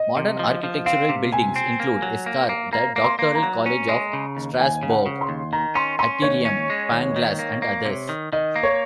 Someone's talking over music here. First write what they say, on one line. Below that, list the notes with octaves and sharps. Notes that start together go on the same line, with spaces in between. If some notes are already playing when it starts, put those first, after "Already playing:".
Modern architectural buildings include: Escarpe, the Doctoral College of Strasbourg, Atrium, Pangloss and others.
Already playing: D#5
C3
F3
F3
C4 F5
C3
C3 G#5
C4
A#3
F#3
A#3
A#3
A#3 A#5
A#3
C6
A#3
A#5
F#3
C#4
G#3
C#3
D#2
D#2 G#5
C#3
F#5
C#3
C6
D#2
D#3 A#5
C#4 C6
C#4 C6
D#2 C#5
C#4
G#3
D#2
D#3
A#3
A#3
C3
D#3
D#3 D#5
A#3
C#5